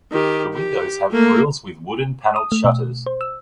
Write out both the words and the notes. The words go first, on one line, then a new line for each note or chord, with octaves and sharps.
The windows have grills with wooden paneled shutters.
D#3 G4
G4
A3 A#3
D#6
A3
B2
C5
E6